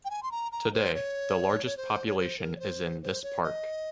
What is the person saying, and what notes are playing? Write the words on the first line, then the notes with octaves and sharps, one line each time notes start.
Today, the largest population is in this park.
G5
G#5
C6
A#5
A#5
C5
C#5
C#5
C5
C#5
C5
A#4
C#5
C5
C5
C#5
D#5